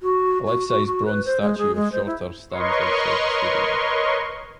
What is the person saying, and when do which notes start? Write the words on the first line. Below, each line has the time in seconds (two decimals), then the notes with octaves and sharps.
A life-size bronze statue of Shorter stands outside the stadium.
0.02 F#4
0.47 F#4
0.68 F#4
0.86 F#4
1.06 B4
1.25 C5
1.42 G#3
1.58 G#4
1.75 G#3
1.92 C5
2.06 E4
2.50 A#4 B4 C#5 D#5 C6 C#6